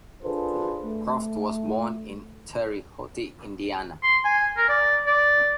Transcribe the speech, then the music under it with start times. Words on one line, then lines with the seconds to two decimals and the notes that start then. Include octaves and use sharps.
Cruft was born in Terre Haute, Indiana.
0.24 D4 F4 G#4 A4 B4 C5
0.83 A3
4.03 C6
4.25 G#5
4.57 A#4
4.69 D5
5.07 D5